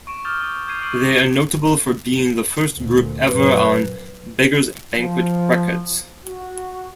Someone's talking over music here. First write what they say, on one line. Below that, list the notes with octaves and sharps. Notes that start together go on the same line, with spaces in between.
They are notable for being the first group ever on Beggars Banquet Records.
C#6 D7 E7
D6 D#6 F6 G6 A6
C#6 G7
D6 G6 G#6 C7 D#7 F7
C#6 F6 C7 D7 F#7
D#7
D2 A#2
F#2 A#2 B4
F3
F#4